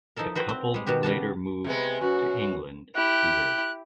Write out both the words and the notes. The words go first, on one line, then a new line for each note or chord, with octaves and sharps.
The couple later moved to England to live.
F3 D#4 E4 A4 A#4
F#4 B4 C5 G5
C4
G3 G#3
B2 D#3 F#4 G4
C#3 G3 F#4 A5
C3 G#3 B3
F#2 F#4
E4 G4 F#6